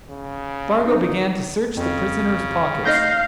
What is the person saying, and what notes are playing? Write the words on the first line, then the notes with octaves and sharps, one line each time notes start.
Spargo began to search the prisoner's pockets.
C#3
C4 D#4
F2 C#3
A3 D#4 D#5 F5 G6 A#6 C7